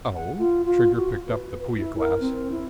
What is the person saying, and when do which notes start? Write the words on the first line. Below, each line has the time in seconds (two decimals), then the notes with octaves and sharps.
"Oh?" Trigger picked up the Puya glass.
0.14 F#5
0.39 F4
0.66 F4
0.96 F#4
1.28 B4
1.76 E4
1.99 A#4
2.20 C4
2.51 E4